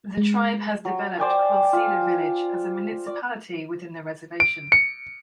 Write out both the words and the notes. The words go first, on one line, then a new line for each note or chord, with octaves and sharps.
The tribe has developed Quil Ceda Village as a municipality within the reservation.
G#3
F#3
C5 D5 G5 G#5
F4
D5
D7
C#7